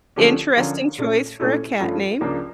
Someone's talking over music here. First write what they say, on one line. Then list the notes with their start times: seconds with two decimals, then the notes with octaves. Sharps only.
Interesting choice for a cat name.
0.16 D3 F3 A3 C#4 G4
0.57 D3 F3 C#4 F4 A#4
0.98 A#2 A3 C#4
1.40 A#2 A3 C#4 E4 A4
1.80 G2 F3 A3 C#4 F4
2.21 C#2 C#3 F3 A#3 D4